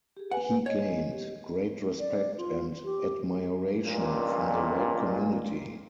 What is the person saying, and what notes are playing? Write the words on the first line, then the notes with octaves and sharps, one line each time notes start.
He gained great respect and admiration from the white community.
G4 G#4
B4 F#5 G#5
C#5 D#5
G4
D5
F4
G4
C#2 G2 A#2